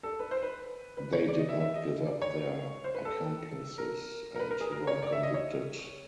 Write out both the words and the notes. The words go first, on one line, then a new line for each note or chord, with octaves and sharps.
They did not give up their accomplices and were convicted.
A4
B4
C5
B4
B4
C#5
D5
D#5
E5
E5
D#5
D5
C#5
C5
B4
A4
A#4
A#4
B4
A#4
G#4
A#4
C#5
D5
E5
D#5
C#5